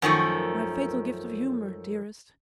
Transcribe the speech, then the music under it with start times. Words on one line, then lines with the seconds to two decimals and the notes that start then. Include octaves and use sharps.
"My fatal gift of humour, dearest."
0.02 F#2 D#3 F3 A3